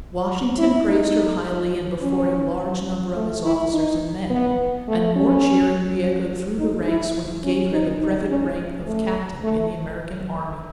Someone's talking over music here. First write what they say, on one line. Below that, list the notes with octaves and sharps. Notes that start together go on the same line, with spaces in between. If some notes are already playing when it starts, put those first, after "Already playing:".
Washington praised her highly and before a large number of his officers and men, and more cheering reechoed through the ranks when he gave her the brevet rank of Captain in the American Army.
E4
D#4
C#4
A3
E4
D#4
B3
A3
C#4
D#4
E4
C#4
D#4
D#4
C#4
A3
A3